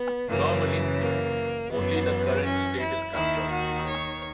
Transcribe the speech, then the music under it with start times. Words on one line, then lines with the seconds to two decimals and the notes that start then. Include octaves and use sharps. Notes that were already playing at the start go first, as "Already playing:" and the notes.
Normally, only the current state is captured.
Already playing: B3
0.28 F#2 C#3 E3 A#3
1.00 A#3
1.71 F#2 E3 B3
2.43 C#4
2.78 E4
3.13 D#2 D#3 E4
3.49 F#4
3.86 C#5